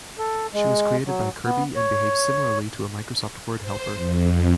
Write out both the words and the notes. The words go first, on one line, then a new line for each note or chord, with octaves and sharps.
She was created by Kerbie and behaves similarly to a Microsoft Word Helper.
A4
G#3
F#3
B3
C#5
C5
F2